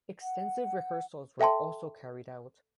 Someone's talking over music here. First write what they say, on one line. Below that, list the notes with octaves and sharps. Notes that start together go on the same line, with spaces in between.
Extensive rehearsals were also carried out.
F#5
A4 E5 G5 A5 C6